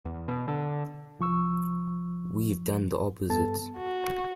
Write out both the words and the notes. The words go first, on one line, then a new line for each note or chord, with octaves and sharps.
We've done the opposite.
E2
B2
D3
C2 F3 C#6 E6
G2 B3 A4 A5 A6
F#4